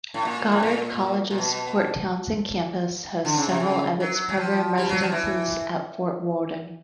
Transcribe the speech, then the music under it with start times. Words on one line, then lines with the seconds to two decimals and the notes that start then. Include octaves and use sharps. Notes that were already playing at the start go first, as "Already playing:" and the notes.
Goddard College's Port Townsend campus hosts several of its program residencies at Fort Worden.
0.14 A2
0.25 A#2
0.52 A2
0.63 A#2
1.30 A#2
1.38 B2
3.25 D3
3.37 C#3
3.49 C3
3.60 C#3
4.00 F#3
4.29 F#3
4.37 F3
4.78 G3
4.89 F#3
5.00 F3
5.12 E3